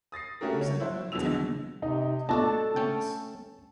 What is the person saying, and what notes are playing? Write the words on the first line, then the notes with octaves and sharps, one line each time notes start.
"You said about ten," Tony repeats.
D#6 A6 A#6 C7
A3 C#4 F#4 G4 A#4
C#5
E4 C5
E2 B2 D3 F#3 E6 F7
C3 D#4
B3 D4 F4 F#4 A4 D5 D#5 A5
A3 C#4 G5